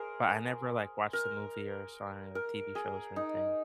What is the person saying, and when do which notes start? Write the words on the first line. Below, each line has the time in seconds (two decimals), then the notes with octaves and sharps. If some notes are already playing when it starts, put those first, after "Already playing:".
but I never, like, watched the movie or saw any of the TV shows or anything.
Already playing: G#4 A#4 C5
1.13 A#4
2.35 A#4
2.75 G#4
3.16 D#4